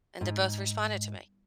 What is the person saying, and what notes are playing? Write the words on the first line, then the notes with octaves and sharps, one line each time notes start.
and they both responded to me
G#2